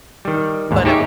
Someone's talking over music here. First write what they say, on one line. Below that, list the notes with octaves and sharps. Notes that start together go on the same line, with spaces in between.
But, um
D#3 G3
D#2 G#2
D#4 G4 G#4 C#5 E5